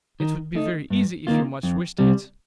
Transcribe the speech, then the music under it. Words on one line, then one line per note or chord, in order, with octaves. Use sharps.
"It would be very easy if you much wished it?"
D#3
A3 D#4
G2
D#3 A#3 F4
F2
C3 G3